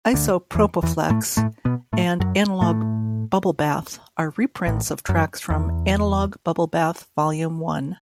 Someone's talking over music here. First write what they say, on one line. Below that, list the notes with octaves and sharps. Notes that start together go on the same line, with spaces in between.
"Isopropophlex" and "Analogue Bubblebath" are reprints of tracks from "Analogue Bubblebath Volume One".
D2 D3
E2 E3
E2 E3
A2 A3
A2 A3
B2 B3
A2 A3
F#2 F#3
A2 A3
A1 A2
F#2
E2